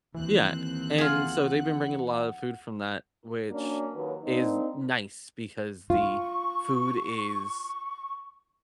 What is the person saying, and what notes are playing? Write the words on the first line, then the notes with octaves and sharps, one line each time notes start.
Yeah, and so they've been bringing a lot of food from that, which is nice, because the food is
D#2 E3 C4 F#6
F4 G#4 F#5
F#3 A#3 C#4 D4
D#2 F#3 B4
A#3 C4 D4 D#4
F4 C#6